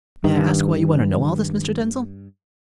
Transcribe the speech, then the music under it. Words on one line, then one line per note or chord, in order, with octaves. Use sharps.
"May I ask why you want to know all this, Mr. Denzil?"
G2 D#3